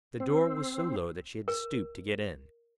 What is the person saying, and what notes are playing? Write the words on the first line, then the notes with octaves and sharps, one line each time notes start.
The door was so low that she had to stoop to get in.
C4
A#4